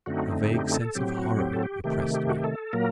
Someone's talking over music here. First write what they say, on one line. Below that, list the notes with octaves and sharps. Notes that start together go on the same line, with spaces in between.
A vague sense of horror oppressed me.
F#2 D3 A3 C4 D#4 F#4
G4
G4
A4
A2 F#3 C4 G4
F#4
G4
A4
G4
C3 D#3 A3 G4
G4
F#4
G4
A4
A#2 F#3 A#3 A#4